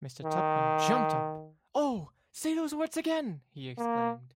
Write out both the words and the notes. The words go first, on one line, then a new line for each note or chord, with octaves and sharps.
Mr. Tupman jumped up — ‘Oh, say those words again!’ he exclaimed.
D#3
A#3